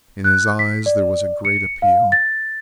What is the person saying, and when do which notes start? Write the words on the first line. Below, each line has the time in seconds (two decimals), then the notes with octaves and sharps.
In his eyes there was a great appeal.
0.24 F#6
0.59 B6
0.86 D5
1.45 C#7
1.82 F5
2.12 A6